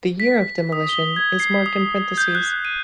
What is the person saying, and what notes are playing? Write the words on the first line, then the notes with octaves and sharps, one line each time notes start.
The year of demolition is marked in parentheses.
B6
D#6
G7
G#6
C7
D#6
G6
F#6
D#7